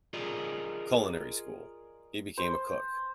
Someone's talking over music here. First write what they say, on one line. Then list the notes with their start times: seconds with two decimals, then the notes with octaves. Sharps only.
culinary school. He became a cook.
0.13 F4 G#4 A#4 D5 D#5
2.38 C5